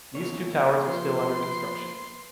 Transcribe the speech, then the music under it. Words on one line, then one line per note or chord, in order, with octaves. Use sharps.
These two towers are still under construction.
E2 B2 A#3 C#5
F3 B4 C6